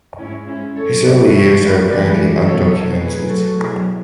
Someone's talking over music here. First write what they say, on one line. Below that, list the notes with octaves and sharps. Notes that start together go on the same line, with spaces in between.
His early years are apparently undocumented.
G#2 G#3 C#4 E4
C#4 E4
G#2 F#3 A4 C#5
B4 D5
G#2 E3 G#3 C#5 E5
B4 D5
E2 C#3 E3 G#3 B4 D5
B2 F#3 A4 C#5
A2 F#3 G#4 B4
F#4 A4
B2 F#3 E4 G#4